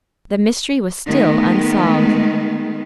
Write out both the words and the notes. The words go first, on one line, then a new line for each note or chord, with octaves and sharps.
The mystery was still unsolved.
D#3 G#3 A3 B3